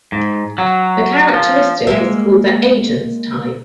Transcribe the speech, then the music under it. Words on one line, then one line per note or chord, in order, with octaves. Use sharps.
The characteristic is called the agent's "type".
G#2
F#3
F3
G#3 A#3 E5